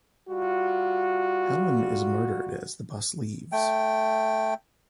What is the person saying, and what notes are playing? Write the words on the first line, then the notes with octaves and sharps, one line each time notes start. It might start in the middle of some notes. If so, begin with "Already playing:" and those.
Helen is murdered as the bus leaves.
G3 F4 F#4
A3 G5